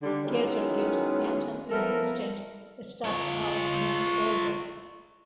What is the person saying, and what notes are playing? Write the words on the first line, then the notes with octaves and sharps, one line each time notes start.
Geser gives Anton an assistant, a stuffed owl named Olga.
D3 G3 D4
D#3 F#3 G#3 B3 C#4 E4
F3 B3 E4 A4 A#4
F4 C#5